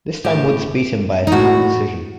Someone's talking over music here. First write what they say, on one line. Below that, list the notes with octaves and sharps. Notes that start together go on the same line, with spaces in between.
This time Woods beat him by a split decision.
A2 G4
D#4
A2 F#4